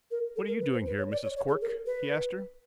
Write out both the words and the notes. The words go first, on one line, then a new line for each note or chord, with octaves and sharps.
"What are you doing here, Mrs. Cork?" he asked her.
A#4
A4
A#4
B4
C5
B4
C#5
D5
C#5
C#5
G#4
A#4
B4